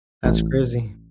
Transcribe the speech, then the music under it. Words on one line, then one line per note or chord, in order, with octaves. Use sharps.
That's crazy.
A1